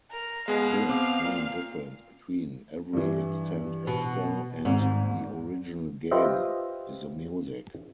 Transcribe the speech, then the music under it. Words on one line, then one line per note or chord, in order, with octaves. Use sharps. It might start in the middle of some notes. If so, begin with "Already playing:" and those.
The main difference between "Every Extend Extra" and the original game is the music.
A#4
B2 G#3 G#4 F5
C4 F5 D6
A#2
G2 E3
B2
G#1 G#2
F4 G4 B4 C5 D#5 E5